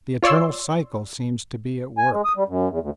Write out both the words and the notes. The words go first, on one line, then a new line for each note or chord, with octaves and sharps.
The eternal cycle seems to be at work.
F4 C#5 D5 C6 E6
G#5
G#3
D#6
G3
F#2
E2
D2